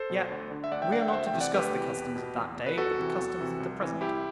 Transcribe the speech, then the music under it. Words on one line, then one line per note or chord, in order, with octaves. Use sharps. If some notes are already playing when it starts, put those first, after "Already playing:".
Yet we are not to discuss the customs of that day, but the customs of the present.
Already playing: A4 C5
B2
D2
D3
E5
D2 D5 F#5
E5 G5
D3 D5 F#5
E5 G5
F#5
D2 C5 E5
E5 G5
C3 E3
D5 F#5
D2 G4 B4
C3 E3
E2
B2
E2
B2
B4
E2 F#4 A4
C3 E3
E2
C3 E3
C2
C3 E3
C2 E4 G4